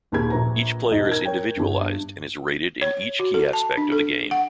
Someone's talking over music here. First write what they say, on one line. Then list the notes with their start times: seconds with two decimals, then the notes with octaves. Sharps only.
Each player is individualized, and is rated in each key aspect of the game.
0.12 G#1 D#2 A#2 G#4 B5 G#6
0.30 A#1 B4 A#5
0.91 E1 G#2 D#4
1.07 A#4 G#6
1.25 A#4 C#5 G5
1.57 G1 G2
2.82 C#5
3.20 F#4
3.34 A4
3.53 A5
3.77 D4
3.92 A4
4.31 F#5